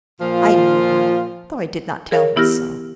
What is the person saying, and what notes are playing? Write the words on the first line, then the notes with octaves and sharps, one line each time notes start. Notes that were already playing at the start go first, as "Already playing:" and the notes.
I knew her, though I did not tell him so.
A#2 F3 F4
G#4 A#4 C#5 F5
E3 B3 E4 G4 F6 A#6